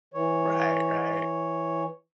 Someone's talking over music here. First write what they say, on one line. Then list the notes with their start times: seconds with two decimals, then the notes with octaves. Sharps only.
Right, right.
0.14 E3 C#5